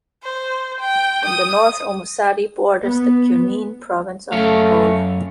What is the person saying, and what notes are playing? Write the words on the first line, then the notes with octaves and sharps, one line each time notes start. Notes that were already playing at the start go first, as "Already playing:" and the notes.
In the north, Omusati borders the Cunene Province of Angola.
C5
G5
D#6
B3
F#2 A3 C#5 F5